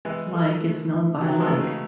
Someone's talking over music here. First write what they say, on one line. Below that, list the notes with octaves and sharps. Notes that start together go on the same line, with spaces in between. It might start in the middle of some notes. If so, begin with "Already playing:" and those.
Like is known by like.
E3 G#3 E5
A4
A3
E4
D#3 F#3 D#4
E3 G#3
A3
C#3